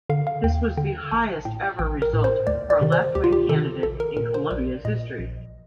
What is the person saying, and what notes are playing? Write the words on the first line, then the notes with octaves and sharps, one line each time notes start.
This was the highest ever result for a left-wing candidate in Colombia's history.
D3 F5
F5
D#2 G5
D3 G5
A1 A5
A2 G5
A1 G5
A#4
A2
C5
D2 D5
D5
C3 D#3
C5
D2 G4
F4
G4
C3 D#3 A4
A#1 A4
A#4
A#2 A#4
C5
A#1 D5
A#2 D#5
A#1